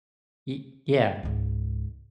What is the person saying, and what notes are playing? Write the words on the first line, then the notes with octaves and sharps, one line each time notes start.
Ye Yeah.
C#2 G#2